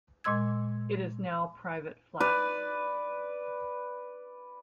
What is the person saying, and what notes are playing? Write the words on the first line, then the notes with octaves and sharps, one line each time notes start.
It is now private flats.
A#2 G#3 D#5 C6 E6 G#6
B4 D5